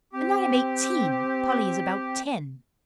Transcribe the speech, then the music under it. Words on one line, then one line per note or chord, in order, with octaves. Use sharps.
"And I am eighteen, Polly is about ten."
C4 G4